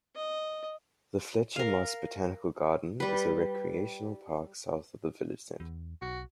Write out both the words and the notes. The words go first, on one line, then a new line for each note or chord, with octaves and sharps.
The Fletcher Moss Botanical Garden is a recreational park south of the village centre.
D#5
A#4 F5
G3 B4
E2
B1 F#4